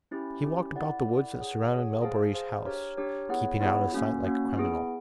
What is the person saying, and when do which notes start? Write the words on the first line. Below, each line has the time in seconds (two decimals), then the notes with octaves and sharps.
He walked about the woods that surrounded Melbury's house, keeping out of sight like a criminal.
0.11 C#4 E4 G4
0.43 C#4 E4 G4
0.75 E4 A4 D5 F#5
1.07 E4 A4 D5 F#5
1.38 G#4 C#5 F#5
1.70 G#4 C#5 F#5
2.02 G#4 C5 F5 A5
2.34 G#4 C5 F5 A5
2.66 D4 G4 A#4 C#5
2.97 D4 G4 A#4 C#5
3.29 B3 E4 G#4 C#5 F#5
3.60 B3 E4 G#4 C#5 F#5
3.93 A#3 C#4 F#4
4.24 A#3 C#4 F#4
4.57 B3 E4 G#4